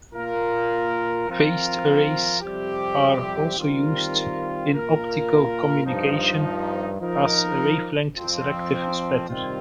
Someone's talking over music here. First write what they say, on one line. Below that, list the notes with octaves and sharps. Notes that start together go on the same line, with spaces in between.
Phased arrays are also used in optical communication as a wavelength-selective splitter.
A#2 A#3 F4 A#4
F3 C4 F4 A#4
F2 C3 G3 C4 G4
D#3 G3 C4 F4 A#4
A#2 A#3 F4 A#4
G2 F3 D#4
F3 D#4 A#4
F2 F3 C4
C3 D#3 G3 C4 F4